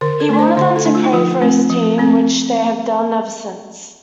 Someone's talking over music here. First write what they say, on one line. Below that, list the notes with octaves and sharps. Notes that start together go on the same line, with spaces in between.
He wanted them to pray for his team, which they have done ever since.
D3 A#4
A4
A3 D4
C5
D3 C5
A4
A3 D4
F4
D#4
F3 F4
A3 C4
F3
A3 C4